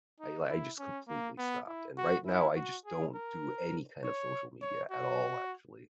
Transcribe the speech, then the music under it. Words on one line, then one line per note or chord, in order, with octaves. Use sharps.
I li I just completely stopped. And right now, I just don't do any kind of social media at all, actually.
D#4
E4
C#4
A#3
B3
E4
F#4
E4
F#4
G#4
A#4
C#5
C#5
F#4